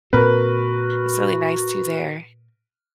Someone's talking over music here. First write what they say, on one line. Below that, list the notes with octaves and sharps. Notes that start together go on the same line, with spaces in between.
It's really nice too there.
A#2 C4 F#4 A#4 B4